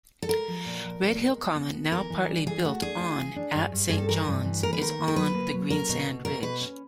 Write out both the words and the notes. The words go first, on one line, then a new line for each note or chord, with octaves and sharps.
Redhill Common, now partly built on at St John's, is on the Greensand Ridge.
A4
G#3 A#4
F3
A#2
F3
A#2
G#3
B3
B3
B3
E3 A#4
E3
G3
E3 G#4
A3 F#4
D4 G#4
F4
E3
D4
G2
G2
G2 G#4
A4
E3 A#4
G2
E3
A#3 A#4
B4
D#3 A#4
A#3
A#4
F#3 B4
A#3
F#3
C#4 A#4
B2
B2
B2 A#4
B2 B4
C#4